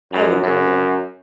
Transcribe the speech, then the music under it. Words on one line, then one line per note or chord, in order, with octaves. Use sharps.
I would go there.
F#2
F#2